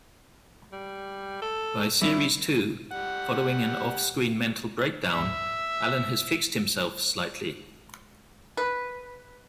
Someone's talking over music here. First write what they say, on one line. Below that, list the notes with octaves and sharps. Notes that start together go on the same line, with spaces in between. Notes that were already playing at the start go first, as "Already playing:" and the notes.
By series two, following an off-screen mental breakdown, Alan has fixed himself slightly.
G3
A4
G3 C#4 E4 D5
G3 F#5
E5
B4